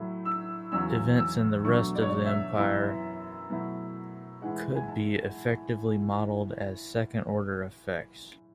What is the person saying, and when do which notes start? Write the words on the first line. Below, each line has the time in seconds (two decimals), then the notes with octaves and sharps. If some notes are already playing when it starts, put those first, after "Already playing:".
Events in the rest of the Empire could be effectively modelled as second-order effects.
Already playing: A2 F#3 A3 E4
0.25 E6
0.72 E2 C#3 F#3 C#4 E6
1.18 E6
1.65 B2 F#3 A3 D4 C#6
1.95 D5
2.02 C#5
2.09 D5
2.26 E5
2.56 F#2 E3 B3 E4
3.50 B2 F#3 A3 E4
4.42 A2 E3 G#3 F#5
4.76 G#5
4.88 A5